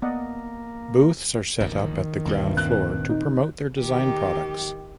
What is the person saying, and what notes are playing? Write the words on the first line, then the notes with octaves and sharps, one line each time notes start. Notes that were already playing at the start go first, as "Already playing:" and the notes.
Booths are set up at the ground floor to promote their design products.
A#3 B3 D5 D#5 F#5
D1 A#1 F#2 D#3
D1 D2 G2 A#2 G3
A#2 C4 F#6
D#4
D#3 G4